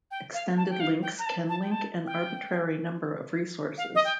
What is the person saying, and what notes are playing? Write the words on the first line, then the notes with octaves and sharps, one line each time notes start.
Extended links can link an arbitrary number of resources.
G5
F5
A5
G5
F5
G5
A#5
A5
A5
G5
A5
G5
F5
D#5
G5